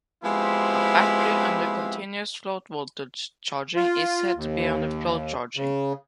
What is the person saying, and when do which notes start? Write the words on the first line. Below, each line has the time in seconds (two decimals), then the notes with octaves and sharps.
A battery under continuous float voltage charging is said to be under float-charging.
0.24 F3 G#3 B3 C4 E4 G4
3.76 F4
4.35 D#2
5.57 C#3